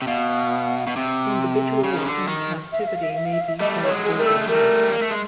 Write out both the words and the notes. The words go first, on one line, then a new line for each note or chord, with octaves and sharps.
Individuals in captivity may be fed baby mice.
C3
B2 F5
B2
C3
C#3
D#3
D3
D#3
E5
F5
E5
F5
E5
F5
E5
F5
E5
F5
E5
G3 A3 D#5
A3 C#5
F#3 G#3
G#4
G3 A3 A#4
A4
G#3
G3 A3 A#4
A#3
A3
G#3